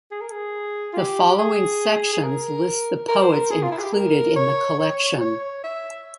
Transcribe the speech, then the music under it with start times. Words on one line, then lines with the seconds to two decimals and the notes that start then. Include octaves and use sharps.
The following sections list the poets included in the collection.
0.11 G#4
0.21 A#4
0.31 G#4
0.93 F4
0.96 G4
1.39 G#4
2.13 G#4
2.23 A#4
3.08 A#4
3.22 C5
3.33 A#4
3.51 G#4
3.62 F4
3.72 E4
3.78 G#4
3.83 G4
3.93 A#4
4.36 C#5
4.79 C#5
5.21 C#5
5.63 E5